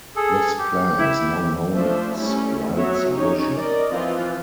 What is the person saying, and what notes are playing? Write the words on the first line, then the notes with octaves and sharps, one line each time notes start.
This plan is now known as "Light's Vision".
G#4 A4
G4
E4
F3 A3 D4 C5 E5
G3 A3 C#4 E4
F#3 B3 F#4 C#5 E5
C#4 D#4 G4 C#5
A#4 D5 D#5
E3 F3 C4 F4